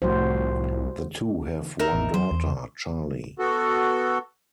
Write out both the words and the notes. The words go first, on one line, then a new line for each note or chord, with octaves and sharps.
The two have one daughter, Charli.
C2 A2 F3 F#4 C5
D#4 A#4 E5
A1
F#3 C5
E2
B3 F#4 A4